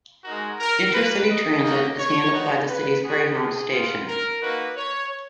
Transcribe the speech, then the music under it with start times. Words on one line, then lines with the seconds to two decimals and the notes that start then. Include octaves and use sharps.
Intercity transit is handled by the city's Greyhound station.
0.24 G#3 D#4 F#4 A#4
0.59 A#4
0.94 A#3 F4 B4
1.29 D#5
1.64 A#3 D#4 F#4
1.98 C#5
2.33 B3 D#4 F#4
2.68 B4
3.03 B3 F#4 G#4
3.72 B3 F4
4.07 A#4
4.41 A#3 D#4 F#4 B4
4.76 C#5